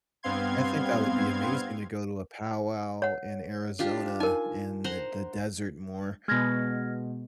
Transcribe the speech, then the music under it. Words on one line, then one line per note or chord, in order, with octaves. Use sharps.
I think that would be amazing to go to a powwow in Arizona in the the desert more,
G2 B3 C4 F5 C6 G#6
C#5 F#5
D4 F4 G4
D#4 A#4 G#5
C5 F#5 A#5
B2 G#3 F6 G#6 A#6